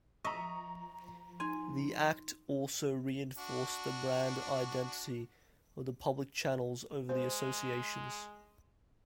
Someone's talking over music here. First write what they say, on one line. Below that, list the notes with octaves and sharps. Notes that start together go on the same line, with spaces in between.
The Act also reinforced the brand identity of the public channels over the associations.
F3 D#5 E5 A#5 C#6
D#4 G#5 C6
D4 F#4
G#3 C5